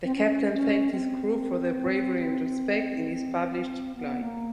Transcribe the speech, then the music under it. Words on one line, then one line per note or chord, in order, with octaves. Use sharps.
The captain thanked his crew for their bravery and respect in a published reply.
C4
C#4
C#4
C4
B3
A#3